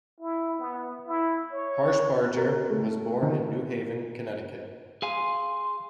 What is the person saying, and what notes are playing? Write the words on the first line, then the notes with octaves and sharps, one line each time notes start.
Harshbarger was born in New Haven, Connecticut.
E4
B3
E4
C#5
A#4
A3
D#3
G#4 F5 G#5 C6